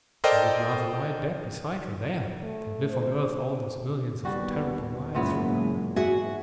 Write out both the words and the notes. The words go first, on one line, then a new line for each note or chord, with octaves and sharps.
I would rather lie dead beside her there than live on Earth all those millions of terrible miles from her.
A4 A#4 C5 D5 D#5 G5
A3
C5
D#2 G3 B3 F#4
F#1 F#2 A#2 C#3 E3 G#3 B3
G#2 F#4 G#4 E5 F#5